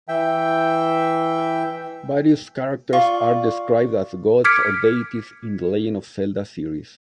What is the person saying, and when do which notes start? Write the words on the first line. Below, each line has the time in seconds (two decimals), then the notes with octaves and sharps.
Various characters are described as gods or deities in "The Legend of Zelda" series.
0.08 E3 E5 G5
2.93 F4 D5 C#6
4.44 D6 F6 G#6 B6 C#7 D7